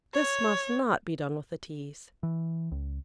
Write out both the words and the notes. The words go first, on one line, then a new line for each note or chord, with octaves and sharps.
This must not be done with the Teas.
C#5
E3
C#2